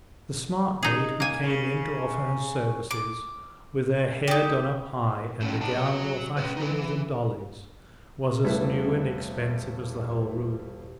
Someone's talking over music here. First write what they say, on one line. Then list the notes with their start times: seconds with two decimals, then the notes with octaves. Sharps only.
The smart maid, who came in to offer her services, with her hair done up high, and a gown more fashionable than Dolly's, was as new and expensive as the whole room.
0.83 D#4 G#4
1.20 A#3 G#5
1.44 C#3
2.91 D6
4.28 D#4 G4
5.40 A2 C#4
5.61 D#4 A5
5.75 F#4 C#5
6.37 C#4 B4
6.57 D#4 B4
6.71 E3
8.44 E1 G3 A3 E4 B4